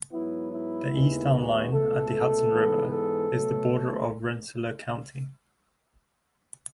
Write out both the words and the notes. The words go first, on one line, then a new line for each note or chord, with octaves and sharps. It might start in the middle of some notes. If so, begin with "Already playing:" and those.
The east town line, at the Hudson River, is the border of Rensselaer County.
G#2 F#3 B3 E4
E4
D#2 D#3 G#3 B3
F#4
C#2 B2 A3 A4
G#2 E3 B3
A4
B2 F#3 A3